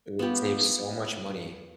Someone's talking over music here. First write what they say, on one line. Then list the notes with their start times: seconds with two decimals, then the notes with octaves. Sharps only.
It would save so much money.
0.19 B3 F4 G4